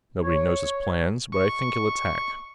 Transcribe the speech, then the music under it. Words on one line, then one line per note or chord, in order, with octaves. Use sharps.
Nobody knows his plans, but I think he'll attack.
C#5
C#6